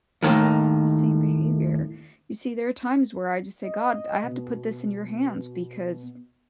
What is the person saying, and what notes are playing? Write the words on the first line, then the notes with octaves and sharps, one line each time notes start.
The same behavior. You see, there are times where I, just, say, "God, I have to put this in your hands because
D#2 A2 D#3
D#5
B2